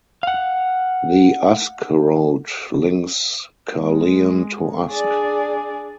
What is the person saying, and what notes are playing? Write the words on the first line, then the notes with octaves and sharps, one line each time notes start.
The Usk Road links Caerleon to Usk.
F5 F#5
G#3
D4 G#4 D5 G#5